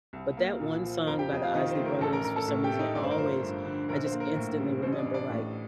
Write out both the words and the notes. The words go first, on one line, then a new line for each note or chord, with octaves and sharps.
But that one song by The Isley Brothers, for some reason, it always I just instantly remember, like
C2
A#3
A#2
F3
F2 A#4 A#5
G4 G5
F2 D#5
F4 F5
D#3 D#4 D#5
C5
A3
A#4
A1 A4 A5
A#4 A#5
A1 A#4 A#5
A4 A5
A2
G4 G5
A3
D#4 D#5
G1 D5
C5
A#4
F3 C5
G2
D3
A#1 A#4
C5
A#3
A#4
A2
G3
A1 C5
D#5
D4 D5
A1
D4 D5
A2